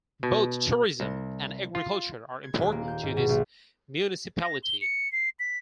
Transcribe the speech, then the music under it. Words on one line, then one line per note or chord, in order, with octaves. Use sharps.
Both tourism and agriculture are important to this municipality.
B2
C2
F4
G#6
D#1
A#3
G6
G#2
B2
B1
A#6
G7
C#7
C7
B6